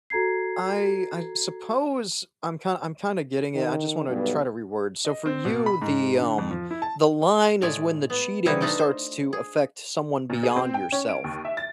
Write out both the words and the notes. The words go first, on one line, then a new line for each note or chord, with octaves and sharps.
I I suppose I'm kind I'm kinda getting it, I just wanna try to reword. So for you, the, um the line is when the cheating starts to affect someone beyond yourself.
F#4 A4 A#5 G#6 C7
D#3
B1 G2 B3
D#5
C4
B2
B5
G#2
D3
F2
F3
E4
A5
A2 G#3 A3 D5 G#5
B3
C3 E3 G3 D#4 E4 F#4
A3 D4 D#4 F4 A4 B4
C5
G#4
A#2
G#4
C4
G5
C#4
D7
D#2
E5
A6